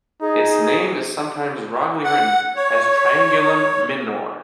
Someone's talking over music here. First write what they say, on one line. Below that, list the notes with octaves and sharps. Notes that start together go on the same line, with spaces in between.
Its name is sometimes wrongly written as Triangulum Min"or".
D#4 G#4
F#5
C#5